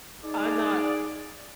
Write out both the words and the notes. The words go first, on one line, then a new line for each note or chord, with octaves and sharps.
I'm not
D#4 G#4 D5